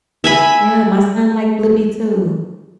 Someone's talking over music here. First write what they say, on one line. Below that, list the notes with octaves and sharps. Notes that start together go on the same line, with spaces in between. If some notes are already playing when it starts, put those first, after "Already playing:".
Yeah, my son like Blippi too.
E5 G#5 B5